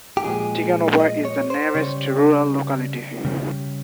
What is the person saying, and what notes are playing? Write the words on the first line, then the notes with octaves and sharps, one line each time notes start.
Tiganovo is the nearest rural locality.
G4
A#2 F3 G#3 G#4
D#5
C#5
C5
C#3 G3 C#5
C#3 G3